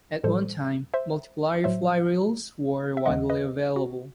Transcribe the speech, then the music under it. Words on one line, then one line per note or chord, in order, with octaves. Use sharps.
At one time, multiplier fly reels were widely available.
A2 E3 G3 A4 C5
C5 E5
A2 F#3 C5 E5
E5
D#2 D#3 G3 D#5 F#5
B4 D#5
F#4